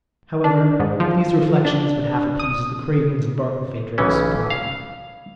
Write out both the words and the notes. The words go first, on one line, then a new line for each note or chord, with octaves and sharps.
However, these reflections but half appeased the cravings of Barkilphedro's pride.
D4
G#2
F3
D4
D#6
B1 C#3 E3 C#4
F5